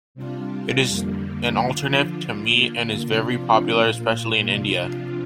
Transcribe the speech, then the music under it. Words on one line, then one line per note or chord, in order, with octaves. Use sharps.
It is an alternative to meat and is very popular especially in India.
C3 G3 D4 F4
F2 D3 G3 A#3
D3 F3 D4 F4
D3 A#3 F4
C3 F3 D4 F4
A#2 A#3 F4
C3 F3 D4 F4